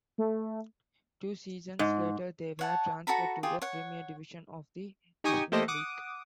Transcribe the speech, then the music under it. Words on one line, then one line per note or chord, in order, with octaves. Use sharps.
Two seasons later they were transferred to the Premier Division of the Isthmian League.
A3
G#2
C#5 F#5 A5
F#4 A4 A#5 B5
F4 G4 G#4
C#5 F#5
D#4 G4 G5 G#5 C#6 D#6
A3 A#3 G4 A4 C5 D#5
F#5 D6 D#6